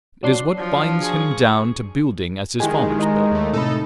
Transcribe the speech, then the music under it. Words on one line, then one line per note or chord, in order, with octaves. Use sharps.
It is what binds him down to building as his fathers built.
F#3 D4 C6
F3
G#4 C#6
D#3 G#3 E4 G4 G#5
D#5 A#5
D#2 A3
A2 C3 D#4 A4 B5